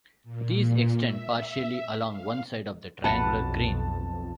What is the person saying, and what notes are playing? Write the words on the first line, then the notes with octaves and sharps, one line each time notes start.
These extend partially along one side of the triangular Green.
A#2
E5
F5
B1 F2 B4 F#5 A5